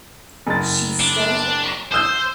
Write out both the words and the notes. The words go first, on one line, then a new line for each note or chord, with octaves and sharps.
She studied acting.
F#1 A6
D4
C5 D#6 E6 G6